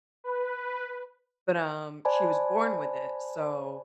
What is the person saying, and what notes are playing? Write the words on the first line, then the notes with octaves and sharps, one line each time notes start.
but, um, she was born with it, so
B4
C5 D5 G#5 A5 B5